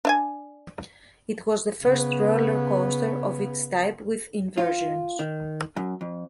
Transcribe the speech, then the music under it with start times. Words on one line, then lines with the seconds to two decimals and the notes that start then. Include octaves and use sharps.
It was the first roller coaster of its type with inversions.
0.05 D4 E5 G#5
1.83 C#3 B3
4.58 F4
5.19 D#3
5.76 F#2
6.01 F2